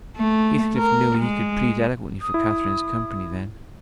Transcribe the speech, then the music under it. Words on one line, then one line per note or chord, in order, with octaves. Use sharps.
Heathcliff knew he could plead eloquently for Catherine's company, then.
A3
A#4
G#3
D#6
E4